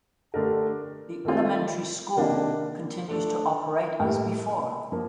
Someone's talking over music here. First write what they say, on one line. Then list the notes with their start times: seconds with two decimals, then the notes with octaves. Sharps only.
The elementary school continues to operate as before.
0.34 D3 A3 D4 G4 A#4
1.25 D#3 A3 C4 F4
2.17 C3 D#3 A#3 D4
3.08 A3 D4 A4
3.99 A2 G3 A#3
4.92 F3 A#3